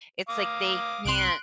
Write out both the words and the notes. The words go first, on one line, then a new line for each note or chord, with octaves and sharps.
It's, like, they can't
F5 D6 D#6
C2 C3 C6 F#6 D7